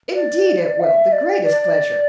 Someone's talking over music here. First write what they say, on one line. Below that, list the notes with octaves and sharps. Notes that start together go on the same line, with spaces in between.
"Indeed it will; the greatest pleasure."
D5
F#5
E5
D5
D5